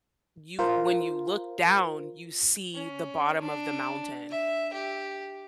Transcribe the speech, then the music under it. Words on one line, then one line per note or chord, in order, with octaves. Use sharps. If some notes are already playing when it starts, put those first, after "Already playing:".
you when you look down, you see the bottom of the mountain.
F4 A#4 C5
C#4
D4
E5
G4